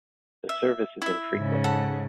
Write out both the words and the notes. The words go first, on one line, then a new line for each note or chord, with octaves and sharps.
The service is infrequent.
E5
E4 E5
G#2 C#3
A4 F#5